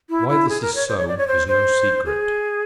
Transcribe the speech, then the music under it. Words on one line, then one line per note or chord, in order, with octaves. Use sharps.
Why this is so is no secret.
E4
E4
G#4
A#4
C#5
C5
C#5
D5
C#5
C5
C5
G#4